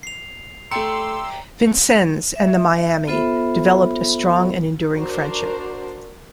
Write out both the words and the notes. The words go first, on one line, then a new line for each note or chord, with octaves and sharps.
Vincennes and the Miami developed a strong and enduring friendship.
C7 F7
A3 G4 D5 E5 A#5 C6 E6 C#7
E5
B3 F4 A4 C5 E5 B5
D4 F#4 A#4 C5 D5